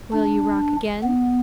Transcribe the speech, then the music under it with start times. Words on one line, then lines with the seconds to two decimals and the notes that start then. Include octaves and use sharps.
"Will you rock again?"
0.13 D4
1.03 B3